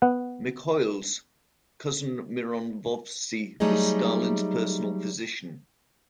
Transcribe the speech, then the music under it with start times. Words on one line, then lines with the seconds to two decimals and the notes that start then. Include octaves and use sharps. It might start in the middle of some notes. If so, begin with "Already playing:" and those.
Mikhoels' cousin Miron Vovsi was Stalin's personal physician.
0.02 B3 F#5
3.60 F#3 G3 A3 D#4 G#4 D#5